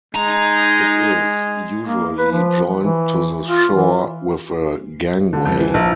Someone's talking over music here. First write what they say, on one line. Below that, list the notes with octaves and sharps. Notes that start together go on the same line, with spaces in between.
It is usually joined to the shore with a gangway.
G#3 D#4 A#5
A#3
B4
F3
E3
F4
E3
D3
F2
E3
A#1